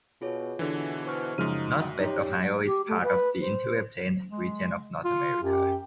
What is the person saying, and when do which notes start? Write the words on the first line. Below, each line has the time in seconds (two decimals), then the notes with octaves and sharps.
Northwest Ohio is part of the Interior Plains region of North America.
0.22 B2 F4 G#4 C#5
0.59 B2 D3 E3
1.07 C5 C#6 F6
1.38 F#2 C#3 F3 G#3 D#4 F#4 F6 D#7
2.00 D#4 G4 C#5
2.66 G4
2.88 A3
3.03 B4
3.41 C5
4.30 G#3
5.05 F4
5.43 F#2 G4